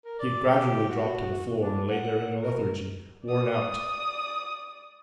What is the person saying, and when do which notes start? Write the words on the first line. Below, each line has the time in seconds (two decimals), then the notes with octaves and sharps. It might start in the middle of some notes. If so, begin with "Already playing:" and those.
He had gradually dropped to the floor, and lay there in a lethargy, worn out.
0.05 A#4
0.19 D5
0.51 G4
0.89 F#4
1.61 D4
1.90 F#5
2.42 A#4
3.25 D5 D#6